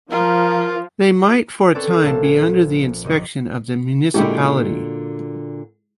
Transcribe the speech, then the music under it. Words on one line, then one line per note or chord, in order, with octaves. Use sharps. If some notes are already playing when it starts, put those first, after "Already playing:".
They might for a time be under the inspection of the municipality.
F3 F4 A#4 A#5
C4 C#4 A4 B4 D5 A5
A#1 F3 A3 A4 F5 A5
G#5
F#1 G4 D#5
A#2 D3 G#3 E4 F#4 G4